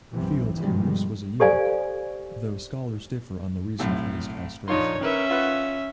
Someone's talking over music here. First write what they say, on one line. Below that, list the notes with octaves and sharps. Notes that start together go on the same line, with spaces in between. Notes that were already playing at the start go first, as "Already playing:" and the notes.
Philetaerus was a eunuch, though scholars differ on the reason for his castration.
B1 F#2 C3 E3
G2 B2 D#3 F3 G3 G#3
G4 A4 C5 D5 F5 G#5
B1 A2 C3
A#1 D#4 F4 C#5 C6
D#3 C#4 A#4 B4 E5
F4 B4 F#5